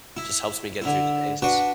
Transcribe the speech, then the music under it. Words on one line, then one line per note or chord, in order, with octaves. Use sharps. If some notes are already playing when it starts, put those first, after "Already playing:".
just helps me get through the days.
E4
D3 E4
D4 F#4 B4